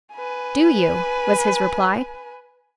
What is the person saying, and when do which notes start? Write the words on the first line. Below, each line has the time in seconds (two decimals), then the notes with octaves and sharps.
"Do you?" was his reply.
0.15 B4 G#5